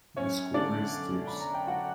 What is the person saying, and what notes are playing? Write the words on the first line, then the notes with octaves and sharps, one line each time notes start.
The score is deuce.
F#2 C#4 C#5
D3 D4 D5
F#2
D3 B5
A#5
G5
D3 F#4 F#5